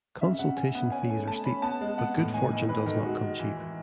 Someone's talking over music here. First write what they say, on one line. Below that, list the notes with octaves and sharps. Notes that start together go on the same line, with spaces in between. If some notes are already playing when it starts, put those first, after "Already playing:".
Consultation fees are steep, but good fortune does not come cheap.
C#3 E5
C#3 F#5
C#3 G#5
B3 F#5
C#4 G#5
A3 G#5
A3 A5
C#4 B5
B3 A5
G#3
B3 F#5
A2
D#3 G#5
D#3 G#5
D#3 B4
D#3 A4
G#3 F#4
G#3
E3
E3